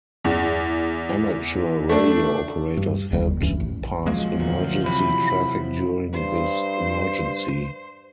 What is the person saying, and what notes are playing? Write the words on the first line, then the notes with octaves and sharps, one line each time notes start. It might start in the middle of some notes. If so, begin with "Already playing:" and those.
Amateur radio operators helped pass emergency traffic during this emergency.
E2
A3 D4
G2
F#1 D#2 D#3 G3
D#1 C#2 G2 E3
A1
C#2 F3 F#3 G#3 A#3
D2 A#2
C3 E3 B5
G2 C5